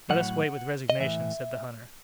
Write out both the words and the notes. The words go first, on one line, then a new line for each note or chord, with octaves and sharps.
"Let us wait with resignation," said the hunter.
A2 F#3 F#5
D#5
A2 E3 E5